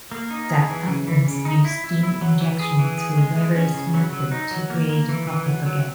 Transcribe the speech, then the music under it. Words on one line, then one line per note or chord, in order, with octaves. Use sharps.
Deck ovens use steam injection, through various methods, to create the proper baguette.
A#3
D#4
G#4
E3
C#3
E3
C#3
D#4
E4
E4
E4
F#3
E3
G#4
E3
G#4
G#3
G#3
C#4
C#3
F#3
F#3
D#4
F#3
A#3
A#3
E3
E3
F#3
F#3